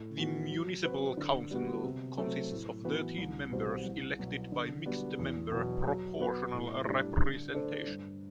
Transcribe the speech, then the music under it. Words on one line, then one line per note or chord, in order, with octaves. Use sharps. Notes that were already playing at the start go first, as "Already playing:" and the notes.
The municipal council consists of thirteen members elected by mixed-member proportional representation.
Already playing: A2
E3 B3 F#4
F#3
C4 F#4 B4
D3
G3 B3 F#4
C3
F#3 A3 C4
A2
E3 B3 F#4 B4
C2
B2 G3 C4 F#4
C2
B2 F#3
D3
G3 B3 D4 F#4
E2
B2 F#3
F#3
B3 F#4 B4
A2
G3 D4
D3
A3 D4 A4 C5
G2